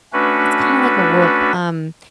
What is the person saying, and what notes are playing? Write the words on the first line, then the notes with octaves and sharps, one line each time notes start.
It's kinda like a Whoop. Um,
A3 C#4 D4 F#4 B4